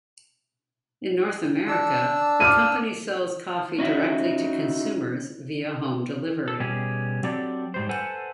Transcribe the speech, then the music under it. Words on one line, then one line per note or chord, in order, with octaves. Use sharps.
In North America, the company sells coffee directly to consumers via home delivery.
D4 E6
D6 F6 D#7
C#4 D#4 E4 F#4
A4
B2 G3 C#4 G4 G#4
F#3 C4 D4 G4 A4 D5
G#2 G3 C5
A4 B4 C5 F#5 G#5